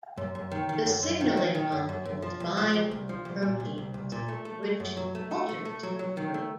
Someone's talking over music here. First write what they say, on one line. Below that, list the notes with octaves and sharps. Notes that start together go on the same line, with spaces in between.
The signaling molecules bind to proteins, which alters the protein.
F#2
F#2
D#3
D#3
F#2
F#2
D#3
F#3
D#3
F#2
F#2
F#2
F3
C2
F3
C2
C2
F3
C2
A#2
C2
C2
C2
A#2
A3
A3
A3
F#2
F#3
A3
A3
A3
A3
F#3
F#3
D#3
A3